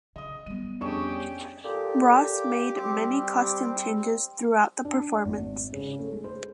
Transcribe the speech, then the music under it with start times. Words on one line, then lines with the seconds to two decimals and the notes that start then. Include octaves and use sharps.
Ross made many costume changes throughout the performance.
0.16 C#3 D#5 D#6
0.46 G3 B3 D#7
0.81 F2 C#4 D4 G4 G#4 C#6 E7
1.64 A#2 G4 A4
2.76 G3 C4 D6
4.85 D4
5.25 G#1
5.73 C#3
5.99 A3
6.12 G#3
6.24 C5